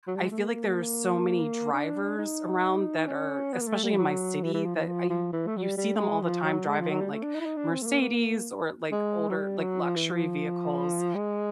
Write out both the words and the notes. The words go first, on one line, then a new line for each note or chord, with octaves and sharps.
I feel like there are so many drivers around that are especially in my city, that I you see them all the time driving, like, Mercedes, or, like, older, like, luxury vehicles,
F#3
G3
G#3
A3
A#3
D4
D#4
C#4
B3
A#3
A3
G3
F3
F#3
E3
E3
F3
E3
F3
F3
E3
A3
F#3
G3
G3
A3
G#3
F3
F#3
G#3
F3
F#3
G3
A3
D4
D#4
E4
D#4
D4
C4
A3
A#3
A#3
G#3
F#3
G3
F#3
F3
E3
F3
G#3